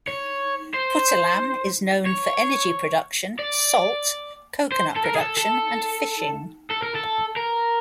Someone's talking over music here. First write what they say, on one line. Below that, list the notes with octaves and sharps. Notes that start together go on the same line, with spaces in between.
Puttalam is known for energy production, salt, coconut production and fishing.
C#5
C5
C#5
D5
C5
A4
A#4
G#4
A4
A4
A4
A#4
A4
A#4